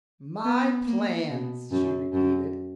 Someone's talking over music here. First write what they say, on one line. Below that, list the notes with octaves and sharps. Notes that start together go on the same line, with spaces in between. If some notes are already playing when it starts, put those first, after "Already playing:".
"My plans," she repeated.
B3
A#3
B2
F#2
F#2